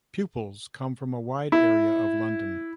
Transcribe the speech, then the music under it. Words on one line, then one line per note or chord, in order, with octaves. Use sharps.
Pupils come from a wide area of London.
E4